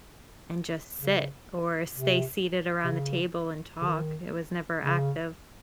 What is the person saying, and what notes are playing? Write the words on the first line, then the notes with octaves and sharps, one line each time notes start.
and just sit or stay seated around the table and talk, it was never active.
C#3
C3
C3
C#3
C#3
D#3
C#3